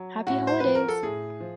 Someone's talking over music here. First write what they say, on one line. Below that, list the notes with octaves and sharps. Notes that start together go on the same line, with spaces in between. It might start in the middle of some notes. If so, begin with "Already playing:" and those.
Happy Holidays!
Already playing: F#3
A2 F#4
C5
F3 B4
A#4
A4
A2 G#4
F3